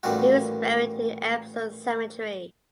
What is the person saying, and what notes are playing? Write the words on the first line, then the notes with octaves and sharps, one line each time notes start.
He is buried in Epsom cemetery.
A1 A#2 D#3 G3 F#4